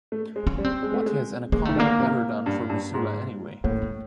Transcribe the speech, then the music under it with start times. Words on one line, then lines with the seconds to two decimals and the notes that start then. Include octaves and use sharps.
What has Anaconda ever done for Missoula, anyway?
0.12 A3
0.36 G#3
0.47 C#4
0.58 G3
0.65 C4
0.83 G#3
0.94 A3
1.06 G#3
1.52 G#3 A#3
1.65 D#3 A3
1.76 D3
1.80 A#3
2.00 C3
2.46 G2
2.69 G2
2.94 G#2
3.64 A2 A#3
3.82 A3